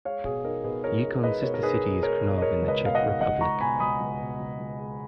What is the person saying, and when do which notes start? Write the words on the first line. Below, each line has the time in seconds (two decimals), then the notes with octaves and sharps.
Yukon's sister city is Krnov in the Czech Republic.
0.05 G#3 C#5 F5
0.25 B2 G#4
0.44 D#4 A#4
0.64 B2 G#4 B4
0.84 D#4 A#4 C#5
1.04 G#3
1.23 G#3 B4 D#5
1.43 B2 A#4 C#5
1.54 A#4
1.63 D#4 G#4 B4
1.83 D#4
2.03 G#3 A#4 C#5
2.23 B2
2.38 D#5
2.42 G#3 A#4 C#5
2.62 C#2
2.68 B4 D#5
2.81 B2 F5
2.95 D#5 F#5
3.02 D#4
3.21 C#2 D#5 F#5
3.41 C#2 A#5 C#6
3.60 B2 G#5 B5
3.80 C#2 B5 D#6
4.00 C#2
4.20 B2
4.40 C#2
4.59 C#2
4.79 G#3